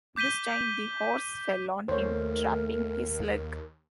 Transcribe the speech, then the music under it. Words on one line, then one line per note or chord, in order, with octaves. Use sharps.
This time the horse fell on him, trapping his leg.
D6 G6 B6 D#7 G7
D#2 A3 A#4 C5 C#5